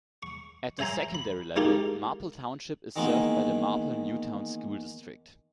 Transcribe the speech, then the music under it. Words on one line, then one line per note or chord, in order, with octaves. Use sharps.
At the secondary level, Marple Township is served by the Marple Newtown School District.
C#6
C5 E5 G#5 A#5 C6
B5
G#3 A3 D#4 F4 G4 A#4
D#3 E3 G#3 A#3 B3